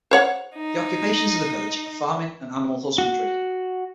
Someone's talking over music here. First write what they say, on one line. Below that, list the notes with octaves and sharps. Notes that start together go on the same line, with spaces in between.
The occupations of the village are farming and animal husbandry.
C5 C#5 F#5
D#4
F#4